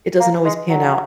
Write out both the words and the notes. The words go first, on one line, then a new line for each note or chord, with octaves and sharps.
it doesn't always pan out
A#3
G#3
F#3